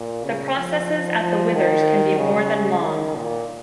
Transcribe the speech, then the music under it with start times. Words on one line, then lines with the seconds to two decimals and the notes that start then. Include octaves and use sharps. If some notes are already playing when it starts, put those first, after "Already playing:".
The processes at the withers can be more than long.
Already playing: A#2
0.24 C#3
0.56 F3
1.21 F3
1.53 D#3
2.18 C#3
2.83 D#3
3.16 A#2